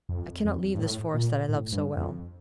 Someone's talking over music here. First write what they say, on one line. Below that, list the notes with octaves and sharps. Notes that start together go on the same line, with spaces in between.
I cannot leave this Forest that I love so well.
F2
F2
G2
A2
A#2
A2
G2
F2